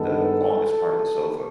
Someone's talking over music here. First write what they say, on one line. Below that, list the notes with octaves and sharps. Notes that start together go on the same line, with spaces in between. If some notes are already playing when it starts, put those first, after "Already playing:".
the longest part of the sofa,
Already playing: G2 D#3 G#3 B3 A4